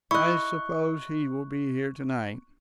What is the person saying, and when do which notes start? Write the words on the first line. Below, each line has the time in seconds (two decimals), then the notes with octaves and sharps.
"I suppose he will be here to-night?"
0.11 E4 D#5 C#6 F#6